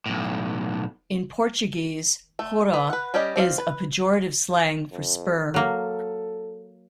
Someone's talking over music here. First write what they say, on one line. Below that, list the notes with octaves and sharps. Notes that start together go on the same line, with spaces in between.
In Portuguese, "Porra" is a pejorative slang for sperm.
B1 A2
A3
B4
B4 F#5
G3 C#4 G4 D5 D#5
C4 D5 E5 F5
B4
F2
F#3 A#3 A4